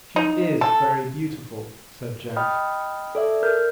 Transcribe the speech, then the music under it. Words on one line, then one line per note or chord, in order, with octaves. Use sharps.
"She is very beautiful," said Jack.
D#4
A4
D#5 G5 B5 D#6 F6
A4 D5 E5
A#4 F6 G6